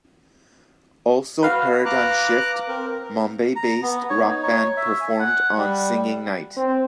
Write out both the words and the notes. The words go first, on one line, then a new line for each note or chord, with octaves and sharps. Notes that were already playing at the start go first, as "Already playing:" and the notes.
Also Paradigm Shift, Mumbai based rockband performed on singing night.
F#4 B4 F5
A#5 D6 F#6
C4 A#4
A#5
B3
C#5
D#4
C#5
E5
G#5
F#5
G3
C4